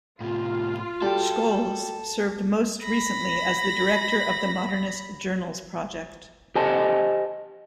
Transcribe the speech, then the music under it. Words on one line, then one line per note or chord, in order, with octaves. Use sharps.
Scholes served most recently as the director of the Modernist Journals Project.
A2 C3 F4
G3 F#4 A4 G5
B5 A#6
G4 C5 D#5 G#5 A5